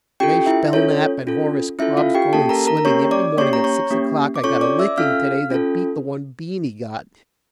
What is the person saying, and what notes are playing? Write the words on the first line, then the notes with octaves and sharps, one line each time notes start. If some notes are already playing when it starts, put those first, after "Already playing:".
Rashe Belnap and Horris Cobbs go in swimming every morning at six o'clock. i got a licking today that beat the one Beany got.
C#4 F4 G4 A4 G5
E4 E5
C#4 F4 A4 C#5
C#4 F4 A4
C#4 E4 F4 A4 E5
F4 F5
G4 G5
A#3 C#4 G4 A4 A5
A#4 A#5
A#4 A#5
A#5
A#3 C#4 G4 C#5 C#6
D5 D6
A#3 C#4 G4 C#5 C#6
A#5
C#5 C#6
A#3 C#4 G4
D6
C#4 F4 A4 C#5 C#6
D5 D6
E5 E6
C#4 F4 A4 F5 F6
C#4 F4 A4